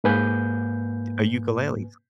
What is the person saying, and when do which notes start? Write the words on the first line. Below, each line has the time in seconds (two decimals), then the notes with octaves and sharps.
a ukulele.
0.04 G#2 A#3 B4 G#5 G6